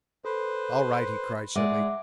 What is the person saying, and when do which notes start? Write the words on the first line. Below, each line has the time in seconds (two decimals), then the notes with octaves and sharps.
"All right!" he cried suddenly.
0.25 A4 B4 C5
1.55 G#3 D5 E5 F#5 D6